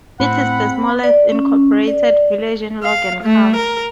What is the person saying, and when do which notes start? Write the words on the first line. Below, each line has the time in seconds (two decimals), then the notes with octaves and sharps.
It is the smallest incorporated village in Logan County.
0.20 A2 C4 F#5 B5
1.04 D5
1.32 C#4
1.88 D5
2.83 F5
3.23 A3
3.56 A#4